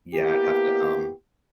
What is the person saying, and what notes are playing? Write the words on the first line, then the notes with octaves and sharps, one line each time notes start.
yeah, I'd have to, um,
A#3 B3 E4 G4